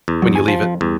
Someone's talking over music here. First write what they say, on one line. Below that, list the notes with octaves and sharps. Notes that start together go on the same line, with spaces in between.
when you leave it
E2
F#3
D2 G#5
F3
F2
E2 G2